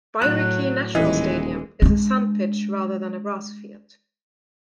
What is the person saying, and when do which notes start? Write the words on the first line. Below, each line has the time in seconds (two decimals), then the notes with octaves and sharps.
Bairiki National Stadium is a sand pitch rather than a grass field.
0.22 A2 F#3 F#6
0.95 D#1 E3 G#3 D#5
1.82 G#3 D4